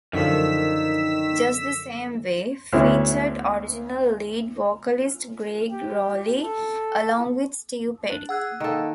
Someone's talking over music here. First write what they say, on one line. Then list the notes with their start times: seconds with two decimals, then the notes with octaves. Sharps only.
"Just the Same Way" featured original lead vocalist Gregg Rolie along with Steve Perry.
0.13 F#2 D3 D#3 F3 E6 B6
2.73 D2 B3 C#4 E4
5.71 G4
6.42 A4
8.09 D4
8.29 G#4 F#5 E6 F#6
8.60 D#3 A#3 A4